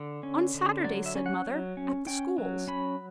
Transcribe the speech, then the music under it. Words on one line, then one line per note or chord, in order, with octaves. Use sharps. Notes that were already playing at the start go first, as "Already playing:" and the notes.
'On Saturday,' said mother, 'at the schools.
Already playing: D3
C#4
D3
F#3 D5
E5
C#4
F#5
F#3
C#4
C#4 G5
F#3
C#4 B5